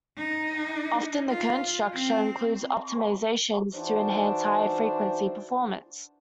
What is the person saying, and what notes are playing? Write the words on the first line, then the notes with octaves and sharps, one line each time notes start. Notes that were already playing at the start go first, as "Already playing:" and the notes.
Often the cone structure includes optimizations to enhance high-frequency performance.
D#4
F4
C4
E3 D4 D#4 F#4 C5